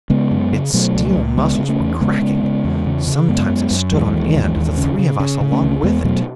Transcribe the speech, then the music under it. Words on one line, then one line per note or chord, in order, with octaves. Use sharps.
Its steel muscles were cracking. Sometimes it stood on end, the three of us along with it!
C#3 G#3 B3
F#2
C#3
B2 F#3 A3
C#2
C#2
C#3 G#3 B3
C#3
A3 C#4
E2
C#3 G#3 B3
C#3
C#3
E2
C#3
C#3
F#2 G#3 B3
F#2
F#2
D#2 E3 G#3
D#2
D#2
D#2
C#3
C#3
C#3
C#3
A3 C#4
C#2
E2 G#3 B3
B2 F#3 A3